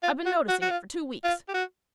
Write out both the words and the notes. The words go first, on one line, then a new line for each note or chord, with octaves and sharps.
I've been noticing it for two weeks.
F4
F#4
F#4
F#4
F4
F4
G4
F#4